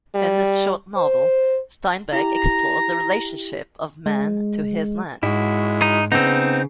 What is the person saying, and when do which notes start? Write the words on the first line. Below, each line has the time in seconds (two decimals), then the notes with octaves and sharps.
In this short novel, Steinbeck explores the relationship of man to his land.
0.15 G3
0.97 C5
2.13 E4 G4 A#5
4.06 G#3
5.23 G#2 G#3 E4 F#4
5.82 D#4
6.12 C#3 B3 C4 D#4